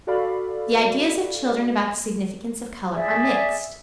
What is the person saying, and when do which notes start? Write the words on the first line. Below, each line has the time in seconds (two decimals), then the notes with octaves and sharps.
The ideas of children about the significance of color are mixed.
0.07 F#4 A4 D5 F5 B5
2.93 G#4 D5 E5